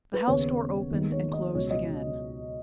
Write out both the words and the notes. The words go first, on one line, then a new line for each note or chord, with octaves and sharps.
The house door opened and closed again.
B4
D#2 C#3 B3 C#5
D#2 D#3 G#3 B3
C#5
D#5
C#2 B2 F#3 C#5
D#5